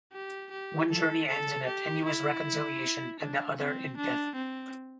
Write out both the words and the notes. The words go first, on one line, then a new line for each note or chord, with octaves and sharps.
One journey ends in a tenuous reconciliation, and the other in death.
G4
G4
A4
A4
G4
E4
D4
C4
D4
C4